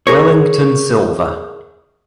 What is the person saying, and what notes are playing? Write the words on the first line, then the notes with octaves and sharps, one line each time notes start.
Wellington Silva.
G#4 A#4 C#5